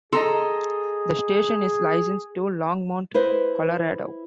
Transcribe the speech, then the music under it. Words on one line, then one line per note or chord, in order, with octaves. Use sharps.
The station is licensed to Longmont, Colorado.
G#4 A4 D#5 A#5 C6
E4 B4 C5 D#5